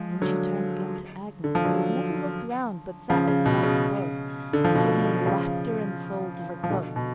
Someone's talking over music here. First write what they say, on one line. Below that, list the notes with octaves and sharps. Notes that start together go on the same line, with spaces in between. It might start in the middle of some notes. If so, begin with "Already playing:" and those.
Then she turned again to Agnes, who had never looked round but sat with her back to both, and suddenly lapped her in the folds of her cloak.
Already playing: F3 G#3
D3 F#3
D3
F3
D3 F#3
C#3 F3
C#3
B2
C#3
D3
F3
B2 D3
C#3 F3
F3
B2 D3
B2